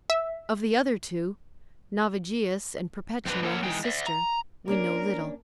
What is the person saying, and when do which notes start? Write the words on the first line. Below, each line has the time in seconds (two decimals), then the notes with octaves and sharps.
Of the other two, Navigius and Perpetua his sister, we know little.
0.10 E5
3.25 F2 C4 D4 B4
3.43 A#3 D4 A4 A#4 C#5 F#5
3.63 E3 G#3 D#4 G#4 G5
3.84 D5 E5
4.07 A#5
4.68 A#3 C#4 D4 A#4